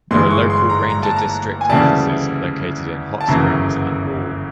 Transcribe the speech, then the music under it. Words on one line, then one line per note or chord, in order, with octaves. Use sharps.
There are local ranger district offices located in Hot Springs and Wall.
G1 G2 E3 G#3 C6
C#6
C6
A#5
A#5
A5
A#5
G#5
D2 C#3 E3 G3 A5
A5
G1 F#2 C#3 E3 A#5